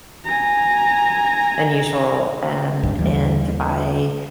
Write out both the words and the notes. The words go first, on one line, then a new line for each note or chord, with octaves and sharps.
unusual. And and I
G#5 A#5
C2 G2
D#2 E3 G3